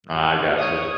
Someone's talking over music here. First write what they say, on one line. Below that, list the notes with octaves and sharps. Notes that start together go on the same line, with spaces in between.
I gotcha.
F#4
C#5 D#6